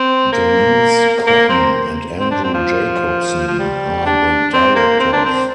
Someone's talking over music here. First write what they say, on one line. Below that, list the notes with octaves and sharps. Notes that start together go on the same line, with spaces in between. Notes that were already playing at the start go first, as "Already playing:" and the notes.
Denise Cotton and Andrew Jacobsen are the directors.
Already playing: C4
A#3
A#3
C4
C4
D4
C4
F3
F3
G3
D4
C4
A#3
C4
D4
C4